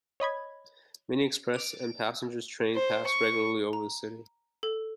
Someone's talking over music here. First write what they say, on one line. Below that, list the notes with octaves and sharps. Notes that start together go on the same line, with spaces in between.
Many express and passengers trains pass regularly over the city.
C#5 D#5 B5 G#6
C5
C#6
A#5
A4